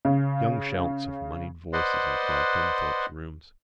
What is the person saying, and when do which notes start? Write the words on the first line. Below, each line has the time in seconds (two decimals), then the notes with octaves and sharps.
Young shouts of moneyed voices in Clive Kempthorpe's rooms.
0.05 C#3
1.73 B4 C5 D5 D#5 F#5 C6